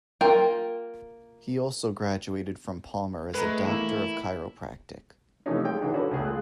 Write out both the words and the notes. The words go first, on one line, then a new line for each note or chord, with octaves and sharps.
He also graduated from Palmer as a Doctor of Chiropractic.
A#3 F4 A#4 G5
G#3 A3 B4 A#5
E3 A#3 E4
C3 E3 F3 A3 C#4 D#4
G#3 F4 C#5 G5
D3 E3 F#3 D4 D#4
C#4 D4 F#4 A4 B4 C#5
C#2 A3 G#4
G#3 F4 F#6